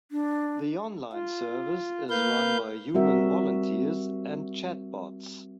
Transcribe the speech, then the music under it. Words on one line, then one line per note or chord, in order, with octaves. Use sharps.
The online service is run by human volunteers and chatbots.
D4
F4
A#3 B4 F5 G6
G3 C4 F#4 A#4 E5